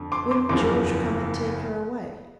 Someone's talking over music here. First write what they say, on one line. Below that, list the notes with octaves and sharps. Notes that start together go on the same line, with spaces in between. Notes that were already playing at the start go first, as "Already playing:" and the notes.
Wouldn't George come and take her away.
Already playing: F2 D3
C6 D6
C6 D6
F#1 E2 C#3 F3 C6 D6